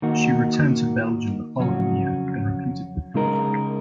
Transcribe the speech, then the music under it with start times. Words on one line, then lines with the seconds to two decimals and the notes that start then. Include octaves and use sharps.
She returned to Belgium the following year and repeated the feat.
0.02 D#3 A#3 D#4 F#4
1.59 F2 C#3 F#3 C#4 F#4
3.14 C#3 G#3 D#4 A#4